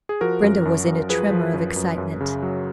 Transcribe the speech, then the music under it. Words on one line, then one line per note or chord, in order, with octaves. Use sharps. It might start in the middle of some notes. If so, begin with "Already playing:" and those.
Brenda was in a tremor of excitement.
G#4
F3 F#4 A#4
F#2
F#2
F#2
F3 G#4 B4
F3
F#2
F#2
F#2
C#3
F#3